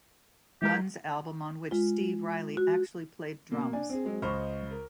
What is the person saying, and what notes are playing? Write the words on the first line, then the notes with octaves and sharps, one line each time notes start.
Guns album on which Steve Riley actually played drums.
E3 G#3 G4 A#4
G#3 F4
F#4
B2 A#3
D4 D5 G#5
C4 G#4
F#3 G#3 C4
C#2 C5 D#5 B5 C#6 F6
A#4